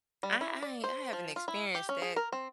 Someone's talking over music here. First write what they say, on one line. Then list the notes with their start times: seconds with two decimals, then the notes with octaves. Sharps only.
I I ain't I haven't experienced that.
0.23 G3
0.41 E4
0.62 D5
0.84 C5
1.13 F3
1.36 F4
1.48 E4
1.75 G4
1.89 C#4
2.02 G#4
2.16 A#4
2.32 C4